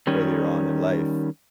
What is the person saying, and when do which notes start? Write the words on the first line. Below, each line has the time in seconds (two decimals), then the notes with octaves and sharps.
earlier on in life.
0.07 D#3 G3 C#4